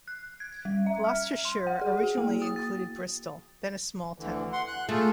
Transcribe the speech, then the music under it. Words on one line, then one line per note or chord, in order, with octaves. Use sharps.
Gloucestershire originally included Bristol, then a small town.
F#6
G#6
G3
E5
F6
C6
F#5
G#4
F#4
A#3
D#6
A6
D2 D3 E3
F#5 C6
F#6
A3 F4 G#4 A4